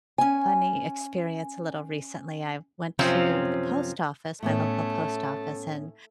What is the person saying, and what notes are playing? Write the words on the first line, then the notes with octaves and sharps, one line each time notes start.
funny experience a little recently, I went to the post office, my local post office, and
C#4 G#5
F#2 C3 F3 C4 C#4 F4
A2 A3 B3 C#4